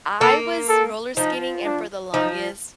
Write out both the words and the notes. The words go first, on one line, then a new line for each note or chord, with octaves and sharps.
I was roller skating, and for the longest
A#3 A4
A4
F3 D#4
D4
F3 D#4